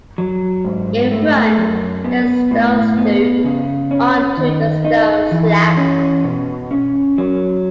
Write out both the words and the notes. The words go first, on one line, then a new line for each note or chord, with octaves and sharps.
In front, there is a stone stoup onto the stone slab.
F#3
G#2
A3
F#2
B3
A2
B3
C#3
C#4
D#3
D#4
E3
C#4
B2
C#4
F#3